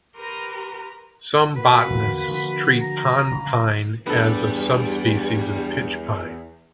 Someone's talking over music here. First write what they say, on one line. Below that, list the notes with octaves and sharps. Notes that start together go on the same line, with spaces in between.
Some botanists treat pond pine as a subspecies of pitch pine.
G4 A#4 B4 A#5 C6
A#3 F#4 B4
E2 D3
D3 F3 G#3
A#5
C#3
E2 G2 G3 B3 A4